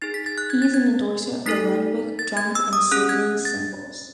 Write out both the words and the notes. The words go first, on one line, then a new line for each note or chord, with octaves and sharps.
He is an endorser of Ludwig Drums and Sabian cymbals.
D#4 G#4 A6
B6
A6
F#6
G#6
A6
G#6
A3 D#4 A4 B6
A6
G#6
E6
D#6
C#4 G#4 F#6
G#6
A6